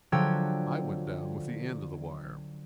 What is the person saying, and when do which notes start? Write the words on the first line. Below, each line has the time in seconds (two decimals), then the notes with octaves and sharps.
I went down with the end of the wire.
0.12 D3 F3 F#3 G5 E6 G#6